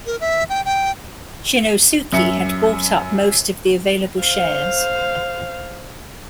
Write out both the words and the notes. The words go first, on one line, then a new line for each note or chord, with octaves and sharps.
Shinnosuke had bought up most of the available shares.
A#4
E5
G5
G5
F#2 E5 C#7
C5 F5